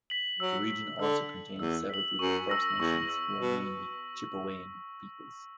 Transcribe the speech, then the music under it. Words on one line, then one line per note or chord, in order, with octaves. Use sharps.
The region also contains several groups of First Nations, who are mainly Chipewyan peoples.
B6 F#7
F#3 E6
B6 F#7
D3 E6
B6 F#7
E2 E6
B6 F#7
F#2 C#6
E6 A#6
E2 C#6
E6 A#6
B2 E6